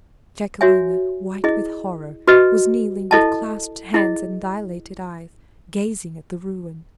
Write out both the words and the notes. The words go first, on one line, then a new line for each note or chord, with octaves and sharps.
Jacquelina, white with horror, was kneeling with clasped hands and dilated eyes, gazing at the ruin.
F#4 C#5 E5 G#5
E4 G#4 D#5
F#4 B4 D#5
E4 A4 D#5 A5
E4 G#4 D#5